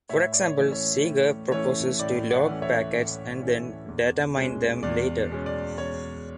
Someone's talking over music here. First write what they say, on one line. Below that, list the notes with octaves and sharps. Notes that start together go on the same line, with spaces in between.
For example, Sager proposes to log packets and then data mine them later.
A2 C#5 E5
D5
C#5
E3 A3 C#4
C#5
A2
E3 A3 C#4 C#5
A2 D5
D5 F#5
E3 A3 C#4
C#5 E5
A2
E3 A3 C#4
E2
B2 G#3 C#4
E2 D5
B2 G#3 C#4
D5
E2 C#5